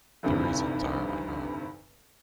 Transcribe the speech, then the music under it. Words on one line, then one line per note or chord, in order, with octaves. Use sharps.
The reasons are unknown.
F1 D2 G2 C3 D#3 E3